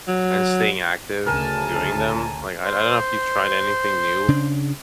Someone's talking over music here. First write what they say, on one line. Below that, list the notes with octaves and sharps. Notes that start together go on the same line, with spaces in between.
and staying active doing them. Like, I d I don't know if you've tried anything new,
F#3
D2 C#3 A#4 G#5 A5
C5
C#3 D4